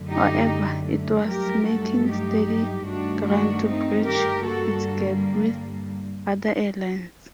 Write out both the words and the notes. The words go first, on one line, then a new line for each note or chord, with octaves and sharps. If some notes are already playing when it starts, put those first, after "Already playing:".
However, it was making steady ground to bridge its gap with other airlines.
Already playing: F#2 D3 A3
D#4 G4
G2 F#3 A3 G4 A#4
F#4 A4
D#4 G4
G2 D#3 A3 D4 F#4
D4 F#4
C4 D#4
G4 A#4
G2 D3 G3 A#3 F#4 A4